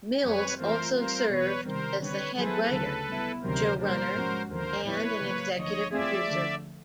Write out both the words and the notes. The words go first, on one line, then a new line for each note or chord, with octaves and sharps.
Mills also served as the head writer, show runner and an executive producer.
F#2 D#3 G3 C4 B4 C#5
E3 A3 C4 F4 A#4 C5
G3 C4 F4 A#4 C5
E2 B2 F#3 B3 B4 C#5
C3 D#3 G3 C4 A#4 C5
D3 G3 C4 B4 C#5
F#3 B3 E4 G#4 A4 B4 C5
D2 C#3 F#3
G3 B3 E4
D2 C3 D#3 F#3 A#4 C5
B2 G3 A#3 D4 A#4 C5
G#2 F3 G#3 C#4 F#4
D#2 D3 F3 A#3 A#4 C5
A2 F#3 B3 E4 B4 C#5
C#3 F#3 A#3
D2 D3 F3 C#5 D#5
F3 A3 C4 F4 G#4 D5 E5
D3 F3 A3